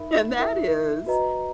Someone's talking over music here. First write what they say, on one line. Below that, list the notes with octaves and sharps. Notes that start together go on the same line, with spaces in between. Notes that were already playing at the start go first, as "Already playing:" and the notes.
and that is
Already playing: D#4 A#4 E5 B5
E4 A#4 E5
F#4 B4 D#5 A#5